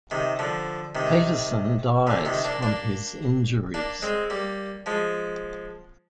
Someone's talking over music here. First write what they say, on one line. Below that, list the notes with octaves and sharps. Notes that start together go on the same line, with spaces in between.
Peterson dies from his injuries.
C3 D#3
D3 F3
C3 D#3
A#2 D3
C3 D#3
A#3 D4
A#3 D4
A#3 D4
G#3 C4
G3 A#3
F3 G#3